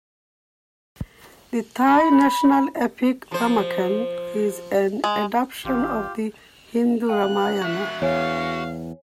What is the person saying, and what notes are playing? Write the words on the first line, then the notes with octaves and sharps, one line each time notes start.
The Thai national epic Ramakien is an adaption of the Hindu Ramayana.
B5
F3 C5
G#3
A1 F4 G4
F5 G5 A5 F#6
F#4 E5
E2 C#5 F5 G#5